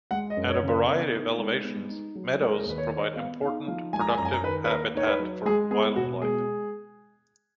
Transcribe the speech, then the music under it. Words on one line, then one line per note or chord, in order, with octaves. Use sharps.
At a variety of elevations, meadows provide important, productive habitat for wildlife.
G#3 F#5
D#5
F#2
C#5
C#3
B4
B3 A#4
D#4
G#3
B3
D#4
F#3
G#3 G#4
A#4
G#4
D#2 B4
C#5
D#3 C#5
D#5
B3 F5
D#4 F5
F3 F5
G#3 G#5
A#5
G#5
F#2 A#5
G#5
A#5
D#3 B4
B4
A#3 A#4
D#4 C#5
B4
F#3
G#3 G#4
B3 G#4
B2 F#4
G#3 G#4